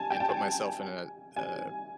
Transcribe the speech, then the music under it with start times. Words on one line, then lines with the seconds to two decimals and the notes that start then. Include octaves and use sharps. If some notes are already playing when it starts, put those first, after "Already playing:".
and put myself in a, uh,
Already playing: G#5 A5
0.10 G5
0.20 A5
0.29 G#5
1.36 G#5